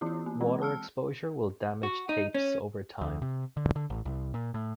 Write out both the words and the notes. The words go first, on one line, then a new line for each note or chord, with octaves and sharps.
Water exposure will damage tapes over time.
E3 B3 E4 F4
A#3
E3 G#3 C4
A5 E6 F6
F#4
D#4
C#4
D2
C3
D3
D3
A1
C2
A#2
A2